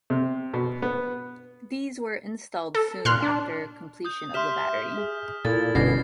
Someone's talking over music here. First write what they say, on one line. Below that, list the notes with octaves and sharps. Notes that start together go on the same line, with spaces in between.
These were installed soon after completion of the battery.
C3
B2
B3
A4
A#2 C6 F6 F#6
D4
D#6 G6
G4 E5 C6 F6 B6 E7
G#4
A#2 E4 A4 A6
G1 B2 D3 C#4 A#6 C7